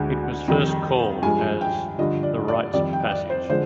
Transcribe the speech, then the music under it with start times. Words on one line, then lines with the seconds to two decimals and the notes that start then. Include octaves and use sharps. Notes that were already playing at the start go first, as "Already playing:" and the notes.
It was first called as "The Rites of Passage".
Already playing: D2 D3 G#3
0.48 F2 D#3 G3
1.22 G2 F3 G#3 G#5
1.61 G5
1.98 G2 D3 F3 D#5
2.23 D5
2.48 D5
2.74 F2 D#3 G3 D5
2.93 G5
3.12 D5
3.30 C5
3.49 D3 F3 G#3 C5